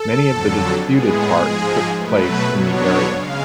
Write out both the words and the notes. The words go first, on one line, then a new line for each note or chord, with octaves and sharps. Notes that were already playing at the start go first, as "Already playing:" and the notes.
Many of the disputed parts took place in the area.
Already playing: A4
F2 D3 F#3
A2 G#3 B3 G#4
G#2 F3 G#3
B2 F#3 A3 B4
B2 F#3 B3 D4 C#5
C#3 G#3 F5